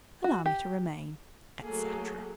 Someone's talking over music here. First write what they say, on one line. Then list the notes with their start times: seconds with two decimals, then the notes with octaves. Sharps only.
Allow me to remain, etc.
0.24 F#4
0.46 G4
1.62 F#3 A3 A#3 G#4 A4